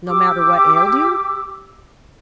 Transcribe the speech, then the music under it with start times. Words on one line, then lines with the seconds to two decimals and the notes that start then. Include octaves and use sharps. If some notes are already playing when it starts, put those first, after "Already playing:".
"No matter what ailed you?"
0.08 G4 D6 E6